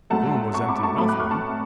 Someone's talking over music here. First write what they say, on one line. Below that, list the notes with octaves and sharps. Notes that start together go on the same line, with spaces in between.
The room was empty enough then.
G#2 F#3 A3 F#5 A5
A5 C#6
B5 D6
A5 C#6
A2 F#3 A3 B5 D6
D6 F#6
C#6 F6
A5 C#6